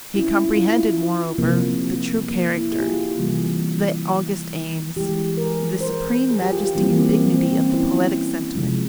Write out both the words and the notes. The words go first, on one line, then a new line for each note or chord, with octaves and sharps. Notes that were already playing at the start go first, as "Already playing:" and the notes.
He comprehended, moreover, the true character, the august aims, the supreme majesty and dignity of the poetic sentiment.
E4
C#4
F4
E4
F4
C3 F3 A#3
A#3
E4
G#4
G4
F4
C3 E3 G3 A#3
E3 G#3 G4
A#4
G#4
C5
A#4
G#4
G4
F4
G4
E3 G3 A#3 C#4
C4
A#3
C4
A#3
C4
C#4
E4
C#4
C3 F3 G#3